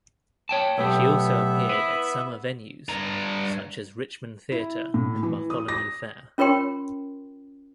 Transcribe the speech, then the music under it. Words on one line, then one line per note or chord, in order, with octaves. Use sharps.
She also appeared at summer venues such as Richmond Theatre and Bartholomew Fair.
C#5 G5 A5
B1 A3 B3 G4 E5
E4 B4
G2 A#5
E4
A2
E3
D#6
A#6
C#4 F4 A#4 C#5 G5 C6